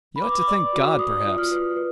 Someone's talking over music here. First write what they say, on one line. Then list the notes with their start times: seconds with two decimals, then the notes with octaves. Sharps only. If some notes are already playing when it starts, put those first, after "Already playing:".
You ought to thank God, perhaps.
0.16 B5
0.22 B4 D6
0.48 D5
0.73 F#4
0.99 D5 D#6
1.24 F4
1.38 F6
1.51 B4
1.76 B4